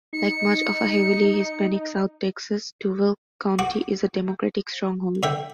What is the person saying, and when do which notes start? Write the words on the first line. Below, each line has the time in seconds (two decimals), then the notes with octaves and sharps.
Like much of heavily Hispanic South Texas, Duval County is a Democratic stronghold.
0.13 D#4 C#7
3.59 F#4 D6
5.23 D3 E5 G5